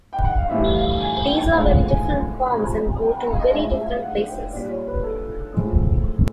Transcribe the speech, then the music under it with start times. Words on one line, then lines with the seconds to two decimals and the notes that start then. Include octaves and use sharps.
These are very different forms and go to very different places.
0.13 G5
0.25 F#5
0.38 F5
0.49 A2 E3 G3 E5
0.75 F5
1.01 G#5
1.26 G5
1.51 A2 F3 G#3 F5
1.63 F#5
1.89 G#5
2.01 G#5
2.51 C3 F3 G#3
3.02 G5
3.15 F#5
3.28 F5
3.39 D#5
3.52 A2 F3 G#3 E5
3.69 E5
3.86 F5
4.03 F#5
4.28 G5
4.53 A#2 G3 D5
4.70 C#5
4.87 B4
5.03 A4
5.53 A2 F3 G#3